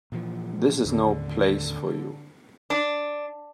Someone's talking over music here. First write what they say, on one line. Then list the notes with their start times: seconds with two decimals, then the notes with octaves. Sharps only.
This is no place for you.
0.12 A#2 E3 F3
0.85 D#2 A2 D3
2.70 D4